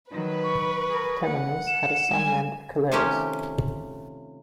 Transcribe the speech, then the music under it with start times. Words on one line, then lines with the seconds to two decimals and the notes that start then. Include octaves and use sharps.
Temenus had a son named Archelaus.
0.11 D#3 F#3 B4
0.44 C#6
0.89 G#4 A#4
1.22 F#5
1.67 E7
2.11 G3 G#3 G#5
2.92 C3 D#3 F3 A3 C#4 G4